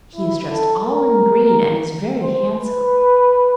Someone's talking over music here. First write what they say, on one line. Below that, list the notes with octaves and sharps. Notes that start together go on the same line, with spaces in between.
'He is dressed all in green, and is very handsome.
E4
A4
A#4
C5
B4